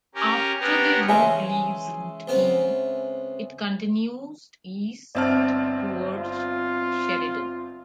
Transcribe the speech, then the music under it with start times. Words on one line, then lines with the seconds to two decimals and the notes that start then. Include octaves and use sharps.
After the route leaves Route E, it continues east towards Sheridan.
0.15 C#4 G4 A#4
0.60 B3 C#4 D4 G4 A#4
1.08 C#3 E3 G#3 E5 G#5 C6
2.28 C#2 B3 C4
5.15 G1 C4 D5 E5 A5 F6
6.15 F4